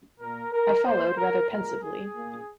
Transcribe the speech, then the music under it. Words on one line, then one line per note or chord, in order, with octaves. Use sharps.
I followed rather pensively.
A#2 A#3 A#4
A#4
A#2 A#3 C5
A#4
A#2 G#3 A#4
G#4
A#2 A#3